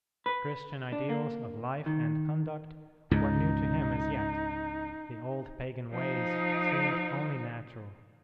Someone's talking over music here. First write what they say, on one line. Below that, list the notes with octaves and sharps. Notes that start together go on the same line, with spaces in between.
The Christian ideals of life and conduct were new to him as yet; the old pagan ways seemed only natural.
B4
D4
A#3
D#3
C#2 G#2 D#4
F3 D#4